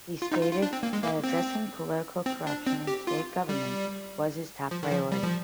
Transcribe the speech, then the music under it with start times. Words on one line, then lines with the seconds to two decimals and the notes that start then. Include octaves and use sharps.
He stated that addressing political corruption in state government was his top priority.
0.22 F4
0.32 D#4
0.42 F4
0.52 F4
0.62 D4
0.73 C4
0.83 A#3
0.93 G#3
1.04 A#3
1.24 C4
2.26 C4
2.47 D4
2.67 C4
2.87 G4
3.07 F4
3.49 G3
4.71 F3
4.83 D#3
4.92 F3
5.12 G3
5.23 F3